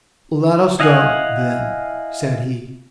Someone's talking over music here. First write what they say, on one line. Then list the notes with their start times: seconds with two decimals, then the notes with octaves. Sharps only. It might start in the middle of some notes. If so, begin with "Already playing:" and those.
"Let us go, then!" said he.
0.80 E4 D#5 F5 F#5 G#5